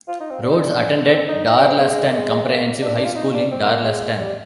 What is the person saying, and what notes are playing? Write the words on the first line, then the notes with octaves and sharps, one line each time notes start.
Rhodes attended Darlaston Comprehensive High School in Darlaston.
F4
D#4
C4
D4
D#4
D4
A#3
C4
D#4
D#4
D4
C4
G#3
G#3
G#3
A#3
G#3
G#3
A#3
D4
D4
F4
D#4
D4
C4
A#3
A#3
G#3
G3